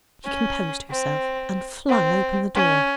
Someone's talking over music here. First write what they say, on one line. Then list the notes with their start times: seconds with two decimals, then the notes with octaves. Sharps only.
She composed herself and flung open the door.
0.25 C#4
0.90 C4
1.89 C4
2.55 C#4